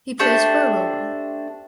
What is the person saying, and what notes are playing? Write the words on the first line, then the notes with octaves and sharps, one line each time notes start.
He plays for Roma.
A3 D4 G4 C5